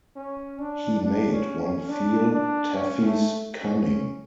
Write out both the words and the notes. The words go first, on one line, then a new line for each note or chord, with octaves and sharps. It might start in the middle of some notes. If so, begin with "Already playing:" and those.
He made one feel Taffy’s cunning.
C#4
D4
D4
C#4
C#4
D4
D4
C#4
A3
C#4